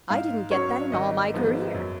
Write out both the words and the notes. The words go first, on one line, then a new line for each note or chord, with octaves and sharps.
"I didn't get that in all my career."
G#2 F5
F#3 C#4 C#5
G#1 D#5
G#2 F3 G#3 B3
F#2